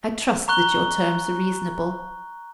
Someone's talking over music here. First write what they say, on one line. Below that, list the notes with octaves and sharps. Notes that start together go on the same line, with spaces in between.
I trust that your terms are reasonable.
A#5 C#6 F#6 G7